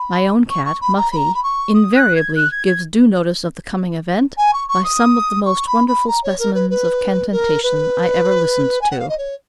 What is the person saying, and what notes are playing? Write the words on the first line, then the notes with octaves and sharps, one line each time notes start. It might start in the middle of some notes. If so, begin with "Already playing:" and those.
My own cat, Muffie, invariably gives due notice of the coming event, by some of the most wonderful specimens of cantation I ever listened to.
Already playing: B5
C#6
C#6
B5
A#5
B5
A#5
B5
C#6
D#6
F#6
G#6
F#6
G#6
G#6
G#5
C#6
C#6
D#6
C#6
B5
B5
A#5
C#5
A#4
B4
B4
A#4
B4
G#5
F#5
F5
D#5
C#5